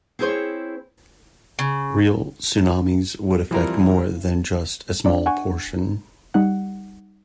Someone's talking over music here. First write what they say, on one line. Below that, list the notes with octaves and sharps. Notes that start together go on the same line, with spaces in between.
Real tsunamis would affect more than just a small portion.
C4 E4 G#4 A4 C5 C#5
C#3
E3 F3 G3 C4 E4 A#4
D4 D5
F#5 G#5 C#6
G3 D#4 F#5